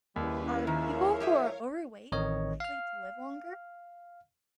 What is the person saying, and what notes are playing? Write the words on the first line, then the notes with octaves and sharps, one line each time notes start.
Are people who are overweight likely to live longer?
D#2 C#3 G3 C#4 E4 B4
D#3 F3 G#3 E4 A#4 C#5 F5
G4 G#4 E5
A1 D#3 C4 D#4 C#5 D#5
F5 F6